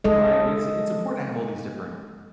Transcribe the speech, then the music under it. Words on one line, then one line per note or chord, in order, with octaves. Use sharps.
Right. It's it's important to have all these different,
G#3 A4 D#5